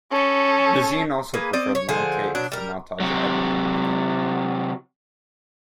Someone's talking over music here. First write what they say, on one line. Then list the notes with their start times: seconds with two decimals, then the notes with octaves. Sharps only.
Bazin also preferred long takes to montage editing.
0.11 C#4 A4
1.34 A#3 G#4 B4
1.53 C4 D5 D#5
1.75 C#5
1.89 D3 F3 G#4 C5
2.35 B2 F#3 D4
2.52 G3 A#4
3.00 C3 F#3